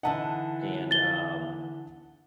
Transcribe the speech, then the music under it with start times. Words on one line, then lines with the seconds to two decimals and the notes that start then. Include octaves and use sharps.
and, um,
0.03 D3 E3 D#4 F#5 A5
0.91 A6 G7